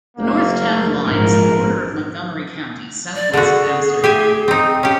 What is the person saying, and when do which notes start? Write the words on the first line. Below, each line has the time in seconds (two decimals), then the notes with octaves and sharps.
The north town line is the border of Montgomery County, southwest of Amsterdam.
0.17 F#1 A#3
1.03 A#1 G#2 A#4
3.16 D5
3.33 D3 F#4 G#4
4.04 G4 E5 G#5
4.48 C4 D#4
4.83 C#4 G4